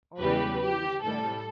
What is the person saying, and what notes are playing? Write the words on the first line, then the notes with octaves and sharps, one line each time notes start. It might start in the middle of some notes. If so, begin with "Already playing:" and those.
Already he was better.
E2 C#3 E3 G3 G4 B4
G4
A2 G3 A4